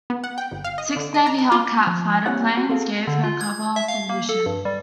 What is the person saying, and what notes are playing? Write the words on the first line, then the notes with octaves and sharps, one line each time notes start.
Six Navy Hellcat fighter planes gave her cover for the mission.
B3
F#5
G5
G1
F5
D#5
D3
D#5
A#5
A5
F4
F3
G3 A#3 C4 E4 C#5 F#5
F#4
C4 G#4 A4 F5
D3
F4
G#6
E5
F5
A#3
A4
G2
G3